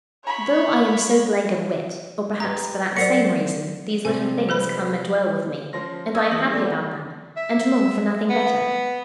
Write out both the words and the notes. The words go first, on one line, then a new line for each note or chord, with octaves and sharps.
Though I am so blank of wit, or perhaps for that same reason, these little things come and dwell with me, and I am happy about them, and long for nothing better.
C#5 B5
G4 B4 A#5
F#3 A#4 C5 D5 F#5 C7 C#7
C3 F3 G3 G#5
A4 B4 B5
F3 C#4 C6 A#6
D#5 D#6 E6 G#6
E2 G#4 D#6 A#6 F#7
G3 A3 D5
B3
E5
B3